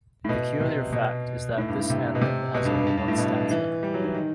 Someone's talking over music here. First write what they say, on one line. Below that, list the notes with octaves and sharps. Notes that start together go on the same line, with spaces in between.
A peculiar fact is that this anthem has only one stanza.
A2
B2
C3
B2
A2
G2
A2
C3
B2
C3
B2
G2
G2
G2
G2
A2
B2
E3
G3
F#3
E3
D#3